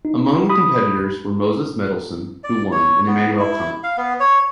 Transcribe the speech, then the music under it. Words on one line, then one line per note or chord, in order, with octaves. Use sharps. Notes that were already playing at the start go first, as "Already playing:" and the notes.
Among the competitors were Moses Mendelssohn, who won, and Immanuel Kant.
D#4
B5 D#6
D5
C#5
B3
E4
F5
B3
C#5